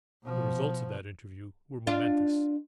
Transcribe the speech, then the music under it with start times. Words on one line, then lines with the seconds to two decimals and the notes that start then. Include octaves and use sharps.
The results of that interview were momentous.
0.24 B2 F3
1.87 D4 F4